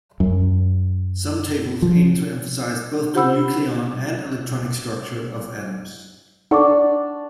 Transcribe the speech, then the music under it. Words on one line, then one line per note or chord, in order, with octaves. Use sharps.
Some tables aim to emphasize both the nucleon and electronic structure of atoms.
F#2
F3
F4 G4 C5 F#5 B5 E6
D4 D#4 A4 F#5 C#6 D6